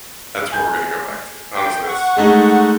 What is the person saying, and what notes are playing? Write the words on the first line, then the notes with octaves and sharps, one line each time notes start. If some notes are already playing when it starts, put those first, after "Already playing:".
That's where we're gonna go back to, honestly, that's
G#5 G6
G5
F#5 C#6
G#3 A3 D#4